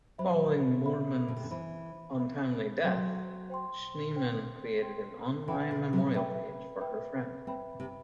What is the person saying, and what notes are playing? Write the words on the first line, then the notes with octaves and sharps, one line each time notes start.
Following Moorman's untimely death, Schneeman created an online memorial page for her friend.
F#3 C5 E5 B5
C5 E5 B5
B2
C3
D3
E3 C5 E5 B5
C5 E5 B5
F#3 C5 G5 C6
C5 G5 C6
C5 G5 C6
C5 G5 C6
E3 B4 E5 G5 B5
D3
F#3
A3 B4 E5 G5 B5
B4 E5 G5 B5
C4 B4 E5 G5 B5
C3